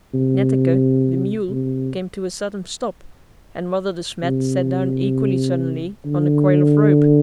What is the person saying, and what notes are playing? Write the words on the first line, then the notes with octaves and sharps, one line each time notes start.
Netteke, the mule, came to a sudden stop, and Mother De Smet sat down equally suddenly on a coil of rope.
C3
C3
C3
D3